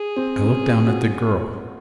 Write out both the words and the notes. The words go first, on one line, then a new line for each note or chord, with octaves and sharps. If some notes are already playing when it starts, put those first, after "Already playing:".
I looked down at the girl.
Already playing: G#4
C4
C#4
F4
F#4